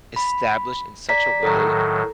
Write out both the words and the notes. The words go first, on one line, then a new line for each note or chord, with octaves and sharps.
established in such a way
B5
D5 A#5 B6
A2 D#3 F#3 A4 A#5